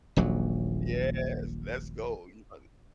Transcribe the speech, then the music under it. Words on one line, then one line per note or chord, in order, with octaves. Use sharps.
Yes. Let's go. You hu
D#1 A#1 F#3